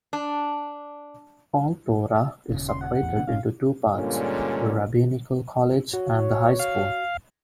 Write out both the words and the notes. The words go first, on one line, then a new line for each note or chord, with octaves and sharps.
Kol Torah is separated into two parts, the rabbinical college and the high school.
D4
D#1 A#1 C#3
C6
F#5
A1 E2
B2 D3 F#5
F#1 G#3 C#4 F5
G2 A#2 D3 G#3 A#3 C#4
F#4 C#5
F5